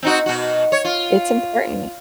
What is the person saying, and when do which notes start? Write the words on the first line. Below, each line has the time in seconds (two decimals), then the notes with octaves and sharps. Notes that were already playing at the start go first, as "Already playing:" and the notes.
It's important.
0.03 C4 D#4 F#4
0.26 B2 F#4
0.72 C#5
0.85 F4